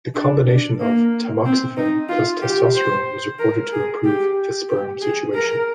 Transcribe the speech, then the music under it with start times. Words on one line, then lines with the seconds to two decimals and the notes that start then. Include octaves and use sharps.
The combination of tamoxifen plus testosterone was reported to improve the sperm situation.
0.14 D4
0.47 D4
0.80 A#3
1.45 C4
1.77 D#4
2.09 F4
2.42 G4
2.75 C5
3.39 A#4
3.72 G#4
4.05 G4
4.69 G4
5.02 G#4
5.35 A#4